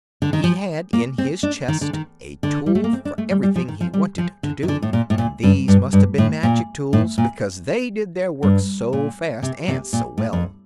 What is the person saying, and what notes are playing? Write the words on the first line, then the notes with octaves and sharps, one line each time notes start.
He had in his chest a tool for everything he wanted to do, and these must have been magic tools because they did their work so fast and so well.
D3
D#3
F3
A#3
C4
D4
D#3
D3
D#3
D3
G3
A3
A#3
C4
D4
A3
G3
G3
F3
D#3
F3
G3
F3
D3
D#3
D3
A2
A#2
A2
A#2
G2
G2
G2
A2
A#2
A2
A#2
G2
A#2
C3
C3
A#2
A2
F2